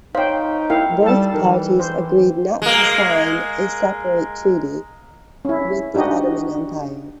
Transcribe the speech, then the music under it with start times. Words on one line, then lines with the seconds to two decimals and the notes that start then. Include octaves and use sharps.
Both parties agreed not to sign a separate treaty with the Ottoman Empire.
0.15 D#4 C5 C#5 F5 G5
0.70 E4 A#4 F5 G5
1.03 G3 A4 A5
1.34 E3 D#4 A#4
1.79 C5
2.62 G#3 A#3
5.45 C#4 E4
5.95 D4 D#4 F#4 G4 D#5